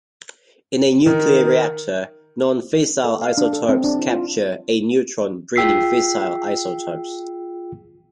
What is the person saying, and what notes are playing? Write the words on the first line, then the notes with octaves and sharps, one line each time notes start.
In a nuclear reactor non-fissile isotopes capture a neutron breeding fissile isotopes.
D#3
A4
F5
D4
A4
C4
D4
E4
F4
F4 G#4 G5 E6 B6 C7